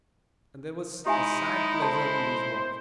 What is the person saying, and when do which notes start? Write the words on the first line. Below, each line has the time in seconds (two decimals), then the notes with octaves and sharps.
And there was a sad pleasure in these walks.
1.06 G#3 D#4 E4 G4 E5 G#5
1.82 A4 C5 A5